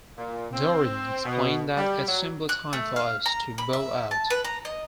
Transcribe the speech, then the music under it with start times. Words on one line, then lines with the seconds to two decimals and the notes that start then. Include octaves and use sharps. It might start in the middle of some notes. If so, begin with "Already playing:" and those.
Dorrian explained that It's simply time for us to bow out.
0.18 A#2
0.53 C4
1.25 B2
1.77 G3
2.08 F#3
2.49 F#6
2.73 A3
2.96 F5
3.26 A#5
3.58 B5
3.73 E5
4.11 A5
4.30 B4
4.45 A#5
4.65 D#5